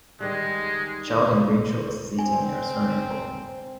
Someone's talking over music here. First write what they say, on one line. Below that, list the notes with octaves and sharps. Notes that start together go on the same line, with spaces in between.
A child in green shorts is eating near a swimming pool.
D#3 G3 G#3
C4 G#5